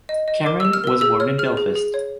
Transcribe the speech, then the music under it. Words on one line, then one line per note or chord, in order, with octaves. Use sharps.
Cameron was born in Belfast.
D#5
D#5
A#4 D6
G4 E6
F6
A#4 E6
G#4 E6
C#5 F6
G#4 F6
G#4
G#4
C#5